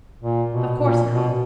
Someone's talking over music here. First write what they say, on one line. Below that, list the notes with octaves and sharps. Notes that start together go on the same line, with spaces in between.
Of course not!
A#2
B2
A#2
B2